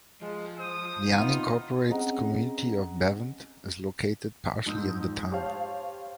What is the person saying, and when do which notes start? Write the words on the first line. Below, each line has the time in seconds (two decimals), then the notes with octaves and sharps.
The unincorporated community of Bevent is located partially in the town.
0.22 F3 G#3
0.59 C5 D#6
1.13 C3 B3 D#4 F4
1.89 C4 C#4 G#4 D#5 F#5 A#5
4.66 F2 G#2 D#6 E6 G6
5.31 G4 C5 C#5 F5 A5